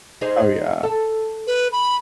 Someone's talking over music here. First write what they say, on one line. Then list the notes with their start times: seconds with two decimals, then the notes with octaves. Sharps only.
Oh, yeah.
0.21 D#4 G#4 C5
0.83 A4
1.47 B4
1.72 B5